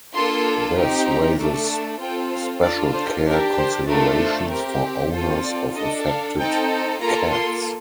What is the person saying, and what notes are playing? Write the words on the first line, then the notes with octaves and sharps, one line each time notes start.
This raises special care considerations for owners of affected cats.
A#3 D4 F4 A4 C6
C4 D#4 G4
A#5
A3 D4 A4
A5
C4 F4 A4 G5
F5
D4 F4 A4 D5
C5
D4 G4 A#4
C5
A3 D4 F4 A4 A#4
C5
C4 G4 A#4
C4 F4 A4 C5
D5
D4 A4 D#5
F5
C4 D#4 A4 G5
A#3 F4 A4 A#5
C6